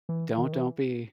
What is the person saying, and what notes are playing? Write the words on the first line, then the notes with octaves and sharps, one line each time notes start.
Don't don't be
E3
D#3
E3